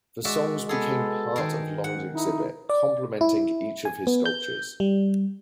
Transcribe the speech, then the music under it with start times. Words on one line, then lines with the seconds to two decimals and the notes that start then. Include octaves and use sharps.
The songs became part of Long's exhibit, complementing each of his sculptures.
0.25 G#3 F#4 D5 E5
0.69 B3 G#4 A4
1.36 D#3 G#4 A#4
1.84 G#2 F#5
2.15 D#4 E4
2.70 D5
3.21 E4
3.85 G#5
4.07 B3
4.26 G6
4.80 G3